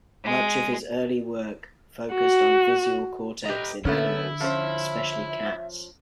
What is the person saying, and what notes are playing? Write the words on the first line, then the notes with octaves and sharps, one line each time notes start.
Much of his early work focused on visual cortex in animals, especially cats.
G#3
F#4
G4 B4 D#5 A#5
D3 A3 B3 C#4 E4 A4
F3 C#4 C5 E5